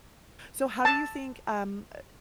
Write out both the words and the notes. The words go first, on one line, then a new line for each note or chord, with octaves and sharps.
So how do you think, um, eh,
A5